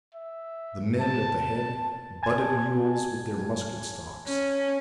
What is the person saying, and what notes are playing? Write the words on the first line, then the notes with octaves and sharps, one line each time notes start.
The men at the head butted mules with their musket stocks.
E5
A5
A5
G#5 A5 G#6
C#4